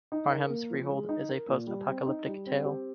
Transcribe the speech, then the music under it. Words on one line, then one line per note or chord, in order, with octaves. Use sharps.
"Farnham's Freehold" is a post-apocalyptic tale.
D#4
A#4
A#3
F3
G#3
D#4
A#4
A#2
G3
C4
D#4
G3
C4
G4